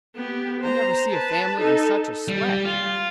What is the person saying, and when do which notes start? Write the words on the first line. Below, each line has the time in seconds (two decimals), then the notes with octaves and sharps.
I never see a family in such a sweat.
0.15 B3 G4
0.60 C5 A#5
1.11 B4 A5
1.59 D#4 A4
2.28 G3
2.65 F4